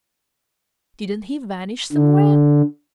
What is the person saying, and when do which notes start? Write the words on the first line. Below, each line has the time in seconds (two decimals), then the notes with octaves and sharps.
"Didn't he vanish somewhere?"
1.92 D3